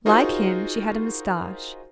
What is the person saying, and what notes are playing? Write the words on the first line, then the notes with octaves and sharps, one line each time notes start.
Like him, she had a mustache.
D#4 F4 F#4 G#4 A#4 C5